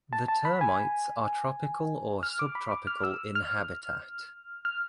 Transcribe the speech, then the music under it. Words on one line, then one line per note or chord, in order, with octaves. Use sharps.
The termites are tropical or subtropical in habitat.
A5
A5
B5
G#5
F6
D6
B5
D6
F6
E6
F6
F6